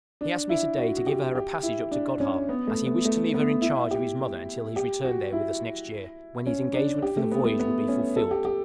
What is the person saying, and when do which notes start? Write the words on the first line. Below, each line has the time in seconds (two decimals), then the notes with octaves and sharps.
He asked me to-day to give her a passage up to Godhavn, as he wished to leave her in charge of his mother until his return there with us next year, when his engagement for the voyage would be fulfilled.
0.21 D4
0.49 E4
0.78 F#4
0.97 F#4
1.07 G4
1.35 G4
1.63 E4
1.91 D4
2.20 C#4
2.49 B3
2.67 A3
2.86 B3
3.05 A3
3.34 B3
3.61 E4
3.91 G4
4.76 G4
5.05 F#4
5.33 E4
6.46 C#4
6.74 D4
7.02 G4
7.17 A3
7.31 B3
7.45 A3
7.59 B3
7.88 C#4
8.16 A4
8.31 G4
8.45 G4